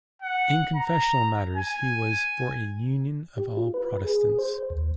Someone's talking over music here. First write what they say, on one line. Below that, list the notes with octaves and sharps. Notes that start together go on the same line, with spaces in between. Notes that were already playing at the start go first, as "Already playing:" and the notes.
In confessional matters he was for a union of all Protestants.
F#5
A#5
G#5
G4
F4
B4
G#4
C5
D#2